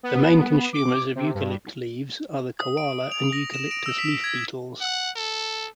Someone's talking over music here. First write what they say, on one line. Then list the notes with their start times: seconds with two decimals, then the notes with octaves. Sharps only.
The main consumers of eucalypt leaves are the koala and eucalyptus leaf beetles.
0.03 B3
0.73 D6
1.15 C3
1.34 G2
2.59 D#6
2.77 D7
3.12 F7
3.33 A#6
3.54 E7
3.71 D7
3.86 E6
3.98 B6
4.24 G#6
4.81 F#5
5.16 A4